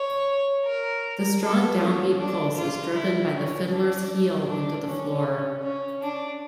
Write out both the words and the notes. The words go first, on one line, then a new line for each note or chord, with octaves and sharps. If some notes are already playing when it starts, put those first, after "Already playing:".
The strong downbeat pulse is driven by the fiddler's heel into the floor.
Already playing: C#5
A#4
A4
C#4
D4
F4
E4
C#4
D4
D4
C#4
C#4
D4